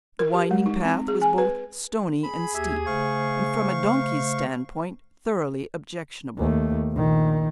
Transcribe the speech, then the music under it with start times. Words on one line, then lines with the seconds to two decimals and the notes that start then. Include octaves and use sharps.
The winding path was both stony and steep, and, from a donkey's standpoint, thoroughly objectionable.
0.19 A#4
0.34 G4
0.51 G#3
0.66 D#4
0.85 C4
1.08 G#4
1.22 G#5
1.38 B4
2.23 G#4 B5
2.54 D#2 G4 E5 G#6
2.86 C#3 A3 C5 F5 C#6
6.37 D#2 A3
6.92 A#1 D#3